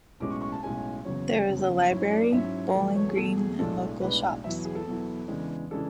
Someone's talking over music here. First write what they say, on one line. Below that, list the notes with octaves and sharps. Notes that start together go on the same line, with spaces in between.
There is a library, bowling green and local shops.
B1 A2 G#3 C#4 D6
C#6
C#6
A5
B1 A2 G#3 C#4 G#5
F#1 E2 C#3 F#3 C#5
F#1 E2 C#3 F#3
G#2 F#3 C#4 E4 C#5
D5
G#2 F#3 C#4 E4 E5
E2 B2 F#3 A3 D5
C#5
G#4
E2 B2 F#3 A3 A4
G#4
B1 A2 G#3 D4 A4
B1 A2 G#3 D4 B4
E2 B2 F#3 B3 E4 E5
G#4
A4
E2 B2 F#3 B3 E4
E2 C#3 E3 G#3 D4
C#3 E3 G#3 D4 A4